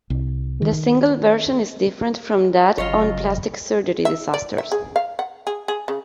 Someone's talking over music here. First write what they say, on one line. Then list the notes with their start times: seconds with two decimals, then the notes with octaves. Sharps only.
The single version is different from that on Plastic Surgery Disasters.
0.10 C2
0.62 D#3
2.78 G1 C#3 F#3 F4 C#5 D#5
4.05 E5
4.34 D5
4.58 E5
4.72 G#4
4.96 F5
5.19 F#5
5.47 G#4
5.68 G#4
5.88 C#3